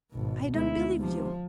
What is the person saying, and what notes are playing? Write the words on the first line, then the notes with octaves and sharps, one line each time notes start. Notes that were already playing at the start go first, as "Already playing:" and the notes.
I don't believe you!
G#1 B2
D2 G#3 B3 D#4 E4
C3 F3